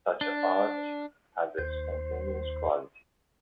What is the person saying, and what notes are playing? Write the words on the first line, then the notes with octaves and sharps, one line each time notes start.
Such art has a spontaneous quality.
D4
D#2 C5